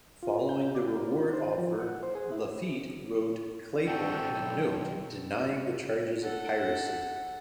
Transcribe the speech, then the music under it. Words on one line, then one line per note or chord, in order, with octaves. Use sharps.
Following the reward offer, Lafitte wrote Claiborne a note denying the charges of piracy.
F4
G6
D5
A#4
F4
C5
F3
F#5
C5
G#4
E4
C4 F#4 A4 G5
B1
A4 F#5